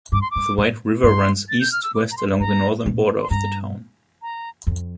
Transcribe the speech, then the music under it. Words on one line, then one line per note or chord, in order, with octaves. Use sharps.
The White River runs East to West along the northern border of the Town.
G2 D6
C6
G2 D6
A2
G2 C6
A6
G6
F6
E6
D6
A#5
C6
G2 A#5
A#2
C6
G2 A#5
A#5
F2